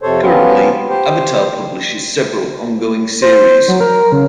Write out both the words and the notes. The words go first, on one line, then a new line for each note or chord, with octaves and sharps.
Currently, Avatar publishes several ongoing series.
F2 C3 A4 C5 C#5
F3 B3 C#4 F4 G4 B4
G4 C5
C5
F#3
A#4
C#3